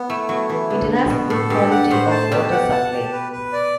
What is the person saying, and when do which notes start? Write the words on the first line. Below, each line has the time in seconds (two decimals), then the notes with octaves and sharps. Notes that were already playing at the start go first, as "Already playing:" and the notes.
It has good quality of Water Supply.
Already playing: B3
0.09 A3 E4
0.29 F#3 B3
0.49 E3 E4
0.69 D3 B3
0.90 B3
1.10 B2 B3
1.30 A2 A4
1.50 G2 G4
1.71 F#5
1.91 A2 C5
2.11 A5
2.31 B2 G4
2.51 F#5
2.72 A5
2.92 G4
3.12 B4
3.32 B4
3.52 D5